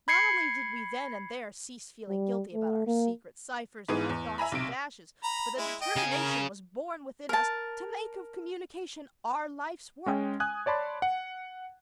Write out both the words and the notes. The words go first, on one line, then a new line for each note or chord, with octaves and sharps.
Not only did we then and there cease feeling guilty about our secret ciphers and our dots and dashes, but the determination was born within us to make of communication our life's work.
B5 G#6 C7 C#7
G3
A3
A#3
G#2 E3 B3 G#4 D#7
E2
E5 G#5 A#5 B5
B1 C3 D7
A#5 B5
G#3 E4
D#5 G5
C#3 G#5
A#4
A#4 A5
G#3 C#4 G5
G#5 D#6 F#6 G#6
C#5 D5 A5 B5 C6
F#5